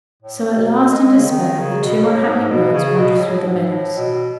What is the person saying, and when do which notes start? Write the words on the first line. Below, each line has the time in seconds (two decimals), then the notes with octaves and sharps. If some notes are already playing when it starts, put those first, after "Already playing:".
So at last, in despair, the two unhappy birds wandered through the meadows.
0.23 A2
0.57 B2
0.91 G#3
1.17 C#3
1.25 D#3
1.59 C#3
1.82 B2
2.04 A2
2.27 G#2
2.50 B2
2.73 C#3
2.96 B2
3.19 A2
3.41 G#2
3.64 A2
3.98 B2